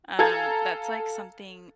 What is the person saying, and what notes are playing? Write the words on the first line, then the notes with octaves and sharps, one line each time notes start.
Um, that's, like, something
A4 F5 G#5 A#5 G#6 A6